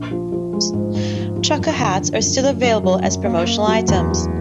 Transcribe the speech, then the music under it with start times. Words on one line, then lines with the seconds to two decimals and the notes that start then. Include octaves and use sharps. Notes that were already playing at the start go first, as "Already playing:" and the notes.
Trucker hats are still available as promotional items.
Already playing: A#1
0.11 F3
0.32 F3
0.53 G#3
0.73 G#2
0.95 G#2
1.15 F3
1.36 F3
1.57 F#2
1.78 D3
2.00 D3
2.21 F#2
2.42 F#2
2.63 F#2
2.84 F#3
3.04 F#2
3.25 A#3
3.47 A#3
3.67 F#3
3.88 E2
4.10 F#3